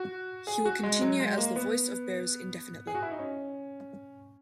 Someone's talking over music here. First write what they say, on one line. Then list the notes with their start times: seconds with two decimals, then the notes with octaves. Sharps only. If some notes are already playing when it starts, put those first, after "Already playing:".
He will continue as the voice of the Bears indefinitely.
Already playing: F#4
0.47 G#4
0.65 F#4
0.83 G#3
1.01 F#3
1.20 G#3
1.38 A#3
1.56 B3
2.87 G#4
2.95 F#4
3.02 E4
3.11 D#4
3.19 C#4